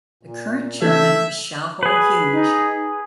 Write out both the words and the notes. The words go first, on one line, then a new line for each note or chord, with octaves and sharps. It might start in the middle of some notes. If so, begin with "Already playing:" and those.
The current Chairman is Shao Hauje.
A#2
E3 A3 A4 E5 G6 G#6
G#4 B4
D#4